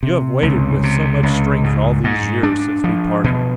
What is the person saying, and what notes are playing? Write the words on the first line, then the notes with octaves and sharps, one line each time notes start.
You have waited with so much strength all these years since we parted.
C3
C#2
C3
C#2
G#2
G#2
D4
F3
B2